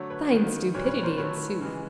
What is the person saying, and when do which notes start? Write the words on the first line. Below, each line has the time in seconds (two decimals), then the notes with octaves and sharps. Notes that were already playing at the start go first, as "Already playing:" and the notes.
Fine stupidity, in sooth!
Already playing: D3 F#3 A3 C#5
0.10 B4 C#5
0.32 D#3 F#3 A#3
0.74 A#2 G3 A#3 B4 C#5
0.89 B4 C#5
1.03 A#4 C5
1.17 D#3 F#3 A3 B4 C#5
1.61 C#3 E3 G#3